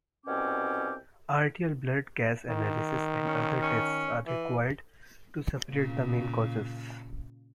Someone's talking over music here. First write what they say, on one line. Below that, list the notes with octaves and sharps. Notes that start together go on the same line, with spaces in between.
Arterial blood gas analysis and other tests are required to separate the main causes.
C2 B2 C4 C#4 G5 D6
D#3
C#4
C#4
E3
A#2 C#3